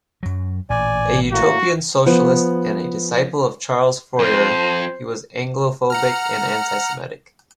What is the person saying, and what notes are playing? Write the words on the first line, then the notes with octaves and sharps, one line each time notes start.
A utopian socialist and a disciple of Charles Fourier, he was anglophobic and anti-semitic.
F#2 F#3
A1 A#2 D5 G#5
A2 A#3 F#4
F3 B3 C5
F2 C5
F#5 A#5 F6